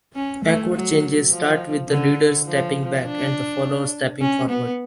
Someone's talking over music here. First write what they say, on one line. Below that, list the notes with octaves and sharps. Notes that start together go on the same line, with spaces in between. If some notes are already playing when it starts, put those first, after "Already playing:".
Backward changes start with the leader stepping back and the follower stepping forward.
C#4
A3
F#3
F3
D3
F3
D4
C#4
B3